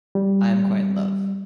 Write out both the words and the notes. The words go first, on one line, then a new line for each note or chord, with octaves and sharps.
I am quite in love.
G3